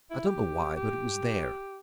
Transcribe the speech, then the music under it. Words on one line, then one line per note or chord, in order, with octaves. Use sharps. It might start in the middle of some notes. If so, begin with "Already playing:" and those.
I don't know why, but it was there.
E4
G4
G4